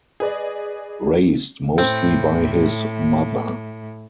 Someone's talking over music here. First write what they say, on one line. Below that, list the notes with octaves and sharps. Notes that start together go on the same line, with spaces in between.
Raised mostly by his mother.
G#4 B4 D5 D#5
A2 C4